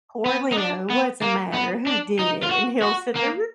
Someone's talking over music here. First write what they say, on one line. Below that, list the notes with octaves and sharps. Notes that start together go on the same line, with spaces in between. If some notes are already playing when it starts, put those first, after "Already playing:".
poor Leo, what's a matter? Who did it?" and he'll sit there,
B3
D#4
D4
B3
A#3
B3
D4
D#4
F4
F#4
F#4
A#3